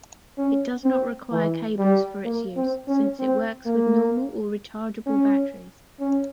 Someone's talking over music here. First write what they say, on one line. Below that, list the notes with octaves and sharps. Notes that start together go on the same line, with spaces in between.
It does not require cables for its use, since it works with normal or rechargeable batteries.
C#4
C4
E3
G3
A#3
C4
C#4
C4
A#3
C#4
C#4